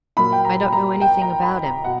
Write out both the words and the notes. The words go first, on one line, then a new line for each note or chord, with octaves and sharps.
"I don't know anything about him."
A#2 F#3 A#3 B5
G5
A#5
A#5
G5
A#5
B5
A#5
B2 F#5